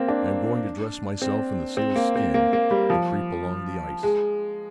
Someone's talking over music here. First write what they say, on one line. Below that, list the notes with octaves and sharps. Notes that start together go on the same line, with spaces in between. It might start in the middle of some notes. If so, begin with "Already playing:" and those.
I am going to dress myself in the seal's skin, and creep along the ice.
Already playing: A#3 C4
D4
C4
C4
A#3
C4
A#3
A#3
G3
F3
G#3